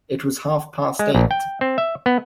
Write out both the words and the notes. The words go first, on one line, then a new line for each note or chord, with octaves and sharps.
It was half-past eight.
G#3
A#1
G5
C4
E5
B3